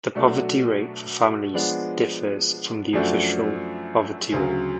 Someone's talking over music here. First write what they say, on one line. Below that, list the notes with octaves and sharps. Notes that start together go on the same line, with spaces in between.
The poverty rate for families differs from the official poverty rate.
B2 F#3 A3 D4 F#4
F3 G#3 B3 D4
F#2 F3 A3 D4 F#4
D2 C#3 F#3